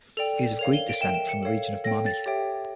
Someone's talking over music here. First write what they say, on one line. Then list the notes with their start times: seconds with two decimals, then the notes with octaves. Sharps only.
He is of Greek descent from the region of Mani.
0.17 A4 D5 G5 F7
0.59 A#4 C#5 F5 F7
0.73 G7
0.89 D7
1.01 A#4 E5 G5 E7
1.14 E7
1.29 C#7
1.43 A4 C#5 F5
1.84 A4 C#5 G5 A#6
2.06 A6
2.26 G4 C#5 E5 G5